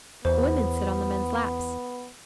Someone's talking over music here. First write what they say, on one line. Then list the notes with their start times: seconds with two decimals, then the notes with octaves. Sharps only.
The women sit on the men's laps.
0.25 E2 B3 C5